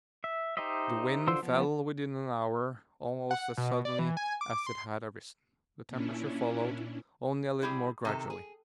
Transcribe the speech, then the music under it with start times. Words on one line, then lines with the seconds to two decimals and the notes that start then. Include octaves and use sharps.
The wind fell within an hour almost as suddenly as it had arisen; the temperature followed, only a little more gradually.
0.24 E5
0.57 D#4 G4 C5 D#5 E5
1.27 D3 F4 C5 C6 E6
1.43 F3 B3
3.31 F#5
3.57 B2
3.85 D5
3.99 E3
4.17 G#5
4.41 D6
4.67 C6
5.89 A#2 C#4 D4 E4
7.62 G3 E4 G4 G#4
8.05 C3 D#3 A4
8.30 G#4